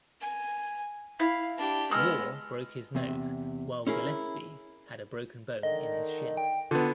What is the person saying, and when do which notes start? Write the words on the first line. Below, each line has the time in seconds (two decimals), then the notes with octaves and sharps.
Waugh broke his nose while Gillespie had a broken bone in his shin.
0.21 G#5
1.20 E4 F5
1.58 D4 G4
1.91 G#3 B3 E6 F6
2.95 E2 C3
3.87 C#4 E4 G#4 A#4
5.63 D3 D#3 D#5
6.37 G5
6.71 D3 B3 F4